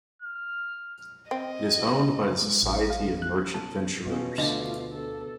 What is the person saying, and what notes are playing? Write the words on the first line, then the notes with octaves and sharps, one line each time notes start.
It is owned by the Society of Merchant Venturers.
F6
C4 D#5
G#3
A1
F5
F#6
A5
B2 C#4 F4
D2 D3 A3 D4 F4 D#5
A4